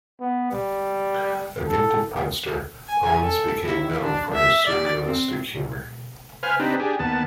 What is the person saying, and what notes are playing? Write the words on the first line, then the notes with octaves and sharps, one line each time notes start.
A gifted punster, Owens became known for his surrealistic humor.
B3
G3
A4
G#5
A4
E4
D4
E5
D5
C4
B4 C5 F5 G#5 F6
C4 D4 D#4 G4 B4
D4 G4 G#4
D#2 B3 A5